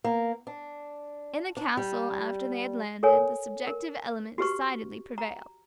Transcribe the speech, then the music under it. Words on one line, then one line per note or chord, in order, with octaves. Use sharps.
In the castle, after they had landed, the subjective element decidedly prevailed.
A#3
D4
D4
G3
A4 A#4 C#5 G#5
A#4
F#4 G4 B4 C#6
A#5